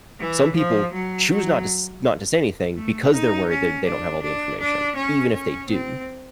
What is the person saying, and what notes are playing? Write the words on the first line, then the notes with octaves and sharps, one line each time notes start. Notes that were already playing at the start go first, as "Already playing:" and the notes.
Some people choose not to s not to say anything because they're worried there they don't have all the information, even if they do.
E3
F3
F#3
F#3
A3
D#4
C#4
D4
D4
D4
C#4
C#4
C4